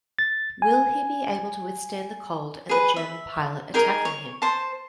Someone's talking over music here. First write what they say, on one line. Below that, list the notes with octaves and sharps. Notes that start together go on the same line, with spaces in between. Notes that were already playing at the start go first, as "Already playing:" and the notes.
Will he be able to withstand the cold and the German pilot attacking him?
A6
G#5
G#4 B4
E5
D#4 G#4 A#4
C#5
C5 A5